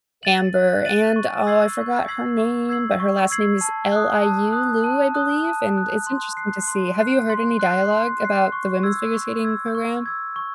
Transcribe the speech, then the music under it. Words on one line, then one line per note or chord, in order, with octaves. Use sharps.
Amber and oh, I forgot her name, but her last name is L-I-U, Liu, I believe, and it's interesting to see. Have you heard any dialogue about the women's figure skating program?
A6 D#7 F#7
F#6
A6 D#7 F#7
C#6
E6 G#6 C7 F#7
C#6
E6 G#6 C7 F#7
C#6
E6 G#6 C7 F#7
C#6
E6 G#6 C7 F#7
A5
D#6 F#6
A5
D#6 F#6
A5
D#6 F#6
A5
D#6 F#6
C6
F#6 C7
C6
F#6 C7
C6
F#6 C7
C6
F#6 C7
C#6
E6 G#6
C#6
E6 G#6
C#6
E6 G#6
C#6